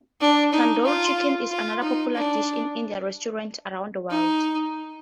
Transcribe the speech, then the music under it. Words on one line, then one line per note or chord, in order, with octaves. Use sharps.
Tandoori chicken is another popular dish in Indian restaurants around the world.
D4
D#4
F4
F4
D#4
D4
D#4